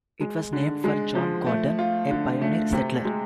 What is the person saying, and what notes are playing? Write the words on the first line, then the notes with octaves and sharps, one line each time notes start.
It was named for John Gordon, a pioneer settler.
G#3
D3
G#3
F3
A3
F4
D3
A3
C3
G#3